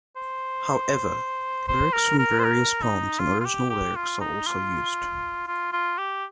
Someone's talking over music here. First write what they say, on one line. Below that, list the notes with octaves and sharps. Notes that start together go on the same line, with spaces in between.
However, lyrics from various poems and original lyrics are also used.
C5
C5
A#4
A#4
C5
A#4
D#4
F4
F4
G4
G4
F4
D#4
F4
F4
F4
G4